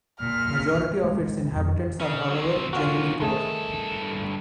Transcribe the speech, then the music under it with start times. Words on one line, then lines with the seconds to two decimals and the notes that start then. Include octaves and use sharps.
Majority of it's inhabitants are however generally poor.
0.20 A#2 F6
1.04 G#3
1.56 F2
2.00 C#3 C#4
2.30 F#3 C4
2.73 A#3 C#4 F4 F#4
3.20 G2 D#3 A3 G#4 A4